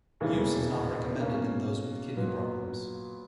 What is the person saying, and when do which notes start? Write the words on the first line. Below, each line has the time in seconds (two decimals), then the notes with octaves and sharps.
Use is not recommended in those with kidney problems.
0.20 E1 D#2 C#3 E3
1.18 B2 A#3 C#4
2.16 A#2 F#3 B3